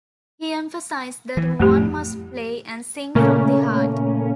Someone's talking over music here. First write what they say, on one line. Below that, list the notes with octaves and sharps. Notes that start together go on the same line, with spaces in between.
He emphasized that one must play and sing from the heart.
E3
F2 A2 G3 A3 G4
A#2 C#3 A3 A#3 C#4 A#4